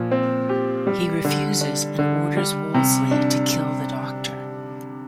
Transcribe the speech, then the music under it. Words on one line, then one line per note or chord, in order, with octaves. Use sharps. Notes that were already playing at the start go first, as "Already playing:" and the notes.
He refuses and orders Woolsey to kill the Doctor.
Already playing: A#2 F3
C4
G4
G3
D3
D4
D3
G3
C3
D4